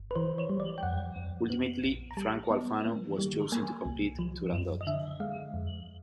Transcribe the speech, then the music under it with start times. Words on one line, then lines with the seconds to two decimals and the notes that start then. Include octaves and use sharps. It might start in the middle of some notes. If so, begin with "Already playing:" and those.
Ultimately Franco Alfano was chosen to complete "Turandot".
Already playing: G1
0.11 B4
0.16 E3 C5
0.38 C#5
0.49 G3
0.60 D5
0.78 G5
0.83 F2 F#5
1.16 F2
1.50 B3
1.83 A#1
2.11 A#5
2.17 G3 A5
2.50 B3
2.85 A#3
3.19 G3
3.52 A#3 G#5
3.86 C2
4.19 F3
4.52 F#2
4.81 D#5
4.87 D3 E5
5.20 G#3 F5
5.54 F2